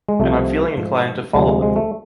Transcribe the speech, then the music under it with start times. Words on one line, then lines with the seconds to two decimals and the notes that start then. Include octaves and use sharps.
And I’m feeling inclined to follow them.
0.09 G#3
0.20 C2 C3 F3 A3
0.77 G#2 F3
1.34 D2 C3 F3 G#3
1.48 G#3
1.62 G#3
1.76 A3